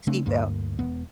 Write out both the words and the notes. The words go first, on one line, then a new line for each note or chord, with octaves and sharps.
Seat belt.
C#3 A3 C4 D4
D2 G2 A#3
E1 B3